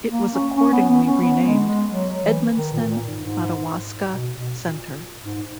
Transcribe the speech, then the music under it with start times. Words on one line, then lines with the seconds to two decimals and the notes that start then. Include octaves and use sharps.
It was accordingly renamed Edmundston-Madawaska Centre.
0.12 A#3
0.34 C#4
0.56 C#4
0.72 B3
0.89 B3
1.06 C#4
1.22 B3
1.45 G#3
1.67 G#3
1.90 F#3
2.23 E3
2.57 D#3
2.73 A#2
2.90 A#2
3.07 G#2
3.23 G#2
4.13 B2
4.35 B2
4.57 A#2
5.24 G#2